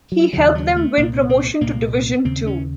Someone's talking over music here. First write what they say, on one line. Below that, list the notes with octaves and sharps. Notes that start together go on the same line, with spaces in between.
He helped them win promotion to Division Two.
F#3
D#2 C#3 F#3
F#3
A3
C2 A#2 A#3
C4
C4
C2 A#2 A#3
D#2 C#3 C4
C#4